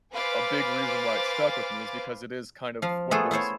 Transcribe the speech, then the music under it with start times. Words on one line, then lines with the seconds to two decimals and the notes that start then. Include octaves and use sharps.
a big reason why it stuck with me is because it is kind of one of those
0.13 B4 C5 F5 G#5 D6 A6
2.82 F3 F5
3.11 A3 B3 F4 G#4 A4
3.31 E4 F4 C5 C#5